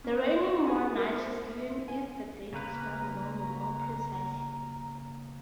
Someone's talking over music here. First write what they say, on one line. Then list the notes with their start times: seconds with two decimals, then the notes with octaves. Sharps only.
The reigning monarch is given if the date is not known more precisely.
0.04 C#4
0.25 D#5
0.66 G#4
0.96 A#4
1.18 C5
1.58 E5
1.88 G#5
2.53 C#3 A#3 B4 A#5